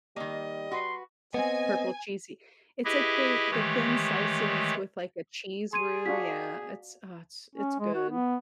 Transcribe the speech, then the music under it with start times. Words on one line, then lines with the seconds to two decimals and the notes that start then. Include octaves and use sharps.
T purple cheesy. It's, like, they, the thin slices with like a cheese roux, yeah, it's, uh, it's good.
0.16 D#3 G3 A#3 D#5
0.71 F#4 B4 C6
1.34 B3 C4 D#5 G#5
2.85 E4 G4 G#4 B4 D#5 E5
3.51 D#3 E3 G#3 A3 G4 C#5
5.73 G#4 C6 G#6 D#7
6.06 D4 F4 F#4 B6
7.55 C#4
7.80 G#3
7.95 F#4
8.10 B3